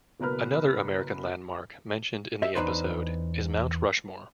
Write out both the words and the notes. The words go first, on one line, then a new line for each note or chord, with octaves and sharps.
Another American landmark mentioned in the episode is Mount Rushmore.
F#1 B2 A#4 B4 F6
G4 D#5 E5
E2 G2 D4 D#4 B4 C5